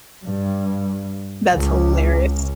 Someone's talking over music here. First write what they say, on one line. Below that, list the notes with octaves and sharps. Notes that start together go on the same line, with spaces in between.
That's hilarious.
G2
C#2